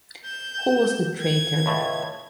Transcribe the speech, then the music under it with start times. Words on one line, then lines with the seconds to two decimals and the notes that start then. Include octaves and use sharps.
Who was the traitor?
0.25 G6 E7
1.20 G#6
1.66 C#2 A2 A3